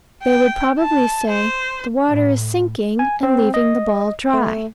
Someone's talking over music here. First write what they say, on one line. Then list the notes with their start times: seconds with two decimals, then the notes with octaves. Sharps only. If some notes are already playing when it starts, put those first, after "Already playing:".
They would probably say, "The water is sinking and leaving the ball dry."
0.24 G5
0.79 A5
1.28 C5
2.07 A2
2.99 G#5
3.23 C4
3.54 D#5
4.34 A3